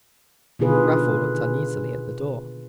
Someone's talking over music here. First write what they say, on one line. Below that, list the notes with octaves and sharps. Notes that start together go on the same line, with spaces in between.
Raffle looked uneasily at the door.
B2 D3 D#3 F4 G#4 B4